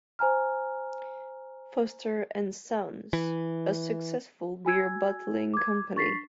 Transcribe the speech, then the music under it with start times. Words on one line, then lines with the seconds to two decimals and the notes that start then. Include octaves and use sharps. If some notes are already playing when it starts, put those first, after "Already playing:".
Foster and sons - a successful beer-bottling company.
0.19 C5 G#5 A#5 F6
3.13 E3
4.65 F#4 G#5 E6 G#6
5.54 D6 G#6
5.96 D4 C#6 A6 B6 C7